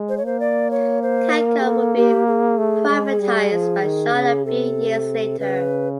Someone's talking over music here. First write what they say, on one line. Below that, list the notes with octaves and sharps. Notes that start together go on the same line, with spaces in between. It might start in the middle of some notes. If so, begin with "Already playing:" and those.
Cancom would be privatized by Shaw a few years later.
Already playing: G#3
C5
C#5
A#3 C5
D5
C#5
C5
A#4
G#4
A4
G4
G#4
A3
G#3
G3
F3
D#3
C#3
C3 A4
C#3 B4